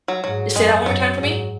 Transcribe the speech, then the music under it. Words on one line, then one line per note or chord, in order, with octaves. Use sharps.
Say that one more time for me.
F#3
G#2 F#3
F#2 G#3
F#2 F#3
G#2